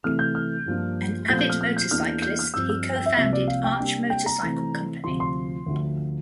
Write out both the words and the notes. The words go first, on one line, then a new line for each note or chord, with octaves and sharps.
An avid motorcyclist, he co-founded Arch Motorcycle Company.
C3 E3 A3 F6
G6
F6
G2 F3 A#3 D4
A#2 F3 A3 C4 G6
G6
F6
F6
G6
E2 E3 A#3 D4 F6
G6
F6
G2 F3 C4 E6
E6
G5
E5
C2 C3 F3 A#3 E5
D5
F5
G5
C3 G3 A#3 D4
G5
A#5
C3 E3 A3 C4
D2 C3 F3 C6
C6
D2 D3 F3